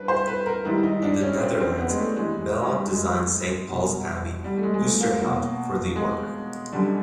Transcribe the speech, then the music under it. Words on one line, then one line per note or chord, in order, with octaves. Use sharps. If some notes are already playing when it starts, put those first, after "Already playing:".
In the Netherlands Bellot designed Saint Paul's Abbey, Oosterhout, for the Order.
Already playing: G2 B4
C5
B4
A#4
G#2 D#3 G3 E4
E4
D#4
D4
C#4
C4
C4
B3
G#3
A3
G2 E3 G3 G#3
G#3
G#3
G3
G#3
B2 G3
G3
A3
G#3
G#3
A3
A#3
B2 F#3 A#3
G#3
F#2 D3 G3